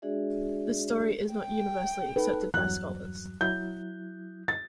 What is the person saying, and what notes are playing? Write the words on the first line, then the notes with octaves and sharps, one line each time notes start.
This story is not universally accepted by scholars.
G#3 D4 F#4 G#4 D5 E5
G5
D#4 A4 B4
E2 G2 F#3 F#6
F#3 E4 G6
A6